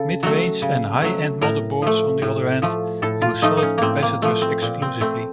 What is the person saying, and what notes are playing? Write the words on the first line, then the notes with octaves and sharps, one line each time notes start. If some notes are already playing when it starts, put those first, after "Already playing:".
Mid-range and high-end motherboards on the other hand use solid capacitors exclusively.
Already playing: C#3 A4
F#3 A3 F#4
C#3
F#3 A3
A2 A#4
F3 A3
A2
F3 A3
A2 A4
F4
F3 A3 D#4
D#4
C#4
A2 A#3 C4
A#3
F3 A3
C4
A#2
C4
A3 C4